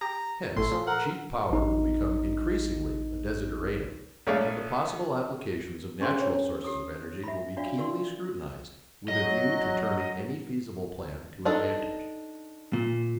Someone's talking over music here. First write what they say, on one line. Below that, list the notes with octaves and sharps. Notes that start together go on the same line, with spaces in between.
Hence cheap power will become increasingly a desideratum, and the possible applications of natural sources of energy will be keenly scrutinised with a view to turning any feasible plan to advantage.
G4 A#5
A1 A2 A3 A4 C6
A#2 F3
A#4 F#5
A1 D#4
A#1 A3 C#5 D5 F5
C#4 D4 G#4 A#4 C5 C6
C#5
G4 A4 D#6
E5 B5
D4 F#4 D5 F5
F#4 A#4 D5 C6
F#3 D#5
D4 D#4 A4
A#2